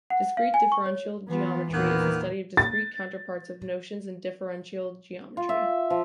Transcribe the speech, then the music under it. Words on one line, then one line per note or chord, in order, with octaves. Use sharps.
Discrete differential geometry is the study of discrete counterparts of notions in differential geometry.
F#5
F5
G#5
C#6
C#5
E3 B3 F4
E2 A#2 D#3 A#3 B3
A6
F4
E5
F3